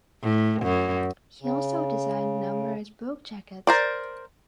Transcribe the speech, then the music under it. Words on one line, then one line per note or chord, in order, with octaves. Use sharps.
He also designed numerous book jackets.
A2
F#2
C#3
A#4 C5 D5